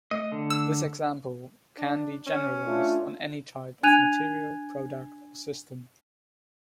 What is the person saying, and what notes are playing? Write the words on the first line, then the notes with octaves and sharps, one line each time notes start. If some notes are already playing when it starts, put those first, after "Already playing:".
This example can be generalized on any type of material, product, or system.
A3 D#5
D3
E6
D4
C#4
A3 D4 F4
D4 G#5 F#6 G#6 D#7 F7